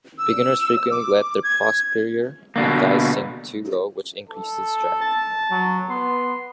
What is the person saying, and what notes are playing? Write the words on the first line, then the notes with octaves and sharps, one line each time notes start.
Beginners frequently let their posterior and thighs sink too low, which increases drag.
E6
D6
G#6
B2 D3 A#3
A4
A5
F#3
B3 C6